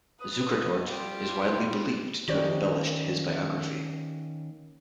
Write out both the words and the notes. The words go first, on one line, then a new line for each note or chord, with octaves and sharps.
Zukertort is widely believed to have embellished his biography.
B4 D#6
G3 F4 G4
D#3 A#3 C#4 G4 C5 D5